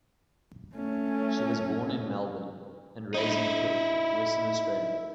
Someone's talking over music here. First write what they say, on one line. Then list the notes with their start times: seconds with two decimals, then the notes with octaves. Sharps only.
She was born in Melbourne and raised in Perth, Western Australia.
0.76 A3 C#4
3.14 D#4 E4